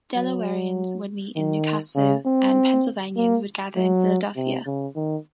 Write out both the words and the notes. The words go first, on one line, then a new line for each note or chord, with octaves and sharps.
Delawareans would meet in New Castle and Pennsylvanians would gather in Philadelphia.
F#3
D#3
C#3
C4
A#3
F#3
C3
C#3
D#3